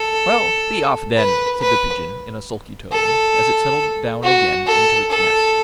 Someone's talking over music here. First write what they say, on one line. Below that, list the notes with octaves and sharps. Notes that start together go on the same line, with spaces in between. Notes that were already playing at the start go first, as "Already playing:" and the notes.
'Well, be off, then!' said the Pigeon in a sulky tone, as it settled down again into its nest.
Already playing: A4
B4
B4
A4
F#4
A4
A4